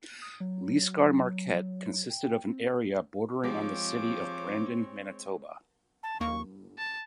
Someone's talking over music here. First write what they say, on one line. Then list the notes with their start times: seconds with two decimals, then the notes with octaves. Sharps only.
Lisgar-Marquette consisted of an area bordering on the City of Brandon, Manitoba.
0.22 D#6
0.40 F#3
2.10 G5
2.47 C4
3.44 F3 G#3 C4 G4 C#5 D6
6.03 A5
6.20 D#2 A#3 C#6
6.78 A5